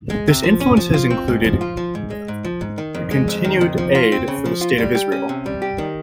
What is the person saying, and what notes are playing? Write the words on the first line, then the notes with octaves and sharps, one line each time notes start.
This influence has included continued aid for the state of Israel.
G#3
C3
F3
C#4
F3
F4
C4
G#2
F3
F4
F3
G#2
G#3
G#2
F3
G#2
D#3
F2
G#3
F2
D#3
F2
F3
F4
C4
C#3
F3
F4
G3
G4
C#4
C3
G3
G4
D#3